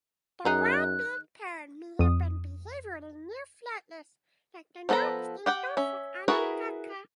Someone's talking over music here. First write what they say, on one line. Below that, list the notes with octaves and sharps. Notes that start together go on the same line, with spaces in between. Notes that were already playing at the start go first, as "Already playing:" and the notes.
The broad-billed parrot may have been behaviourally near-flightless, like the now-extinct Norfolk Island kaka.
F#2 D#3 D#4 G#4 F#6
F2 D#6
F3 B3 A4 B4 A#5
G4 F#5 G5
C#4 E5
E4 F#4 G#4 A#4 B4